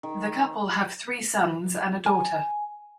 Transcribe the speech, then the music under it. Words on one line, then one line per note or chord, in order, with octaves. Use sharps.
The couple have three sons and a daughter.
D#3
G#5